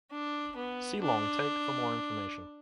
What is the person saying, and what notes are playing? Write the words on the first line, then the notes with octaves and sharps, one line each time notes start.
See Long take for more information.
D4
B3
D4